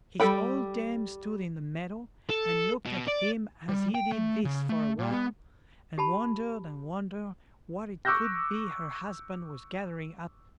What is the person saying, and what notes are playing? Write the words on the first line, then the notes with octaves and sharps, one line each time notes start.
His old dame stood in the meadow and looked at him as he did this for a while, and wondered and wondered what it could be her husband was gathering up.
G3 G4 A4 G5 B5
A4
B2
D5
G3
G5
A3
C#3
A3
A#2
B3
G4 A5 B5
C#6 D6 E6 F#6 G6 A#6